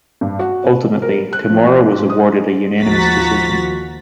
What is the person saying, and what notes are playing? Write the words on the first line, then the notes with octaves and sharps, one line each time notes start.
Ultimately, Tamura was awarded a unanimous decision.
G2
F#4
C3
A#4
F#6
F3
G#2
D#6
D#2 F3 F#4 A#5 A6 B6